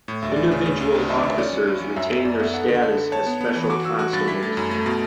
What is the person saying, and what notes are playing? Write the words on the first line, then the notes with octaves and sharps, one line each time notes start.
Individual officers retained their status as special constables.
A2
D2 E5
D5
D2
E5
C#3
C#3
D2
D4
D4 E5
D5
D2
E5
C#4 D5
F#3
G2
F#3
F#2 E5
F#2 E5
F#2 D5
B3 E5
A4 F#5
D3
A4
D3
C#5 A5
B3
B3
E3
F#4 D6
F#4 E6
F#4 F#6
G2 A6
E4 B6
A3 A6
F#2
A3
B2